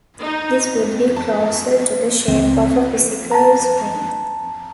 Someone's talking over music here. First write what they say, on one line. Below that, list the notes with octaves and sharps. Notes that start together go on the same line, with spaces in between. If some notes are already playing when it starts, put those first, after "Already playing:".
This would be closer to the shape of a physical spring.
D#4
A5
C#2 C4
A5 A#5